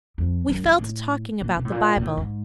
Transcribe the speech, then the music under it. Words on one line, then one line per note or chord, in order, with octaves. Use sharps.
We fell to talking about the Bible.
F2
F#2
G2
A2
A#2
B2
A2
A#2
A#2
A2
G#2